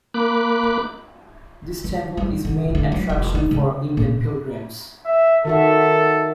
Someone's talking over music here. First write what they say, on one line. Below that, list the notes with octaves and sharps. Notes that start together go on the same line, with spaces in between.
This temple is main attraction for Indian pilgrims.
A#3 B5 D6 F#6
D3
G3
D3
D3
F#3
E1
D#4
C#3
A#2
E5
D#3 F#4 A4 E5